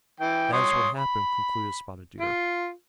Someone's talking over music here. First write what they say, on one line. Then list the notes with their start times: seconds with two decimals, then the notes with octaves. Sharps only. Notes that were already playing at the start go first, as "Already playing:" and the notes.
"That is what happened," concluded Spotted Deer.
0.20 E3 G5
0.53 C#5 C6 D#6
0.97 B5
2.20 F4